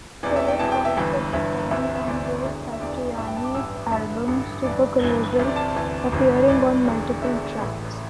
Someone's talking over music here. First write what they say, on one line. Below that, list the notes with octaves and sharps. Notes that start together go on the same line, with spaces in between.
Phillips also performed on Joe Satriani's album "Super Colossal", appearing on multiple tracks.
E1 E2 C3 E3 D5
E5
G5
E1 E2 C3 E3 A5
G5
E5
G1 G2 E3
G1 G2 E3 E5
D2 C3 E3 E5
E5
E5
D2 C3 E3 D5
E1 E2 D3
E5
E1 E2 D3 D5
A1 G2 E3 E5
G5
A5
D6
A1 G2 E3 E6
A1 G2 D3 E5
A1 G2 D3
G1 G2 E3 D5
G1 G2 E3
D2 C3 E3
D5
A5
D2 C3 E3
G1 G2 E3
G1 G2 E3 D5
E1 E2 D3
E1 E2 D3 E5
A1 A2 E3